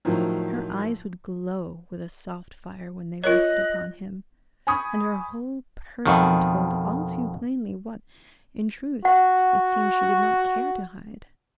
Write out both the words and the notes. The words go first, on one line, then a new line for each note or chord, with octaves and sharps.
Her eyes would glow with a soft fire when they rested upon him, and her whole person told all too plainly what, in truth, it seemed she did not care to hide.
A2 D#3 F3 F#3
F4 A#4 C#5 D#5 F#6
G#5 B5 C#6 D#6 G#6
F2 B2 D#3
F#4 F#5